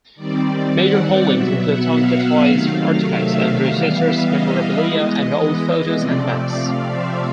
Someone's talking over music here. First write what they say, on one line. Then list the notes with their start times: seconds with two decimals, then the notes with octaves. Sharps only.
Major holdings include Tonka Toys artifacts, Andrews Sisters memorabilia and old photos and maps.
0.15 D#3 G3 C4 D5
0.73 F#5
1.31 B2 F#3 B3 E5
1.60 F#5
1.89 F5
2.47 C3 D#3 F#3 A3
3.05 E5
3.35 F5
3.63 E3 G3 B3 F5
3.93 E5
4.22 D#5
4.80 E3 G#3 B3
5.96 C3 F3 A3 C4 D5
6.54 F5
6.83 E5